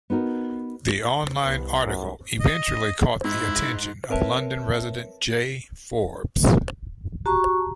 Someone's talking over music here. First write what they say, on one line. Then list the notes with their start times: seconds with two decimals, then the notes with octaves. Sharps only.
The online article eventually caught the attention of London resident Jay Forbes.
0.10 B3 D#4 F#4 A#4
1.43 C2 B3
1.84 F#2
2.40 D#5
3.24 G#2 E4
4.10 C4 A#4 B4 C#5 E5 A5
7.26 F#4 G4 A5 A#5 C#6